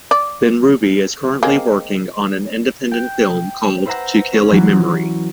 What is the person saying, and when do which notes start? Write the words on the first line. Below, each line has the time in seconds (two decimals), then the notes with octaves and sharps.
Benrubi is currently working on an independent film called "To Kill a Memory".
0.11 D5
1.43 G#3 A#3 C4
2.91 G5 F#6
3.86 B4 C5 E5 F#5 A#5
4.33 C#4
4.51 E3 F#3